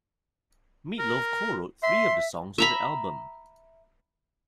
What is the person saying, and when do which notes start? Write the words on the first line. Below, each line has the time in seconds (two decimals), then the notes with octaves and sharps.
Meat Loaf co-wrote three of the songs on the album.
0.99 A#4
1.83 E5 C6
2.58 E5 A#5 B5